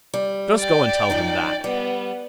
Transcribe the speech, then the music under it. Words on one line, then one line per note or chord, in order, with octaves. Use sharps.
Just go and tell him that.'
G3
D5 G5
F#2 F3 D#4
G3 B3